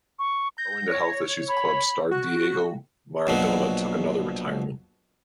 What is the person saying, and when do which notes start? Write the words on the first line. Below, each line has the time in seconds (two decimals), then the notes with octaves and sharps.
Owing to health issues club star Diego Maradona took another retirement.
0.19 C#6
0.58 G6 A#6
0.88 C#5
1.49 B5
2.11 F#4 F#6
3.27 A#1 B2 F#3